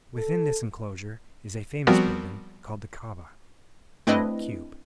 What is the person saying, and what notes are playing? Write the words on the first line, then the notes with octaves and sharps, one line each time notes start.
Within this enclosure is a famous building called the "Ka'a-ba," or cube.
A4
F3 G3 B3 C4 F#4 A#4
A3 C4 D4 E4 B4 D#5